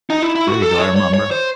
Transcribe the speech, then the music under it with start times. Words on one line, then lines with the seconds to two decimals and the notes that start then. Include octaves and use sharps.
there you go. I remember.
0.10 D#4
0.23 E4
0.35 E4
0.49 F#4
0.62 A4
0.79 C#5
0.96 C#5
1.14 C#5
1.31 C5